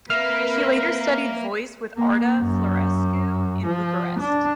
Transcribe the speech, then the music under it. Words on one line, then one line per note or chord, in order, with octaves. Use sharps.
She later studied voice with Arta Florescu in Bucharest.
A#3 C4 A#4 B4 E5 F6
A#3
F#2
F3
D4